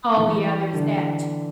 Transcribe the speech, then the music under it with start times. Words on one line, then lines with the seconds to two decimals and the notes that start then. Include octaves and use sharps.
Oh, yeah, there's that t
0.17 E3
0.73 D3